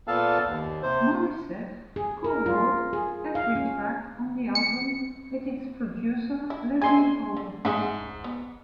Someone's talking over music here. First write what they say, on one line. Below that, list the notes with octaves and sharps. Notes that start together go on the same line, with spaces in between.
Morissette co-wrote every track on the album with its producer, Leslie Howe.
A#2 B3 A4 F5 A5
D#2
C3 C5
G#4
A#4
F4
G#4
F5
C#4
C#7
E4
G#3 E4 G#5 C6
D3
G#2 G#4 E5 F#5
B3